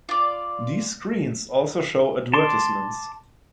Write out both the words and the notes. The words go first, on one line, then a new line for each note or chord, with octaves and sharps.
These screens also show advertisements.
F4 D5
A5 C6 D6